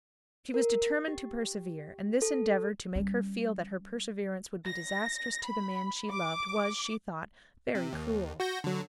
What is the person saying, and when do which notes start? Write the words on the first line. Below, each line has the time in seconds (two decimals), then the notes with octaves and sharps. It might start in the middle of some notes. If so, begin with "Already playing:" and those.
She was determined to persevere; and this endeavour to make her feel that her perseverance would be disastrous to the man she loved was, she thought, very cruel.
0.54 A#4
1.08 G4
2.22 A4
2.95 G3 C#4
4.67 A#6
5.45 B5
6.10 D6
7.75 C3
7.93 D#2
8.40 F#4 G6 A#6
8.64 D3 F#3